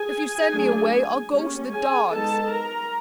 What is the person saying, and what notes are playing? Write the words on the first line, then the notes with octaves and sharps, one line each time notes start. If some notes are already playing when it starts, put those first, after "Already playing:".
If you send me away I'll go to the dogs.
Already playing: G#4 G#5
F#3 A3 D4
G3 A#3 C#4
G#4 G#5
G#3 B3 D#4 A4 A5
A#4 A#5